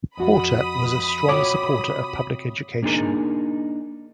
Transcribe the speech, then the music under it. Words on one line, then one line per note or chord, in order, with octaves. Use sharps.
Porter was a strong supporter of public education.
F2 F#4 B5 D#6
C3 F4 F#4 C#5 D6
A#3 B3 D4 D#4 G#4 A#4